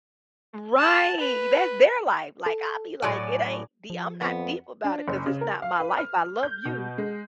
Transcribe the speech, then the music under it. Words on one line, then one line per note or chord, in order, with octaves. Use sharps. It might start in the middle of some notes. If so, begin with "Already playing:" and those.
Right! That's their life. Like, I'll be like, "It ain't dee I'm not deep about it 'cause it's not my life. I love you."
A5
B4
A4
A2 F#3 D5 G#5
F3
F2 B3
D4
F#1
C#3
A#4
F5
B4
F6
G6
B2
G#3